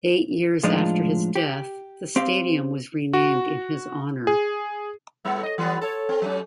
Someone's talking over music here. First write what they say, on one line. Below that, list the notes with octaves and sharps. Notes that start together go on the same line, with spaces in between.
Eight years after his death, the stadium was renamed in his honor.
A2 F3 G#3 D4 D#4 F4
G4
C4 G4 F5
F#4
G#4
A2 G3 B3
D#5
E3 G3 B3
A4 C#5
C4
F#3 A3 C#4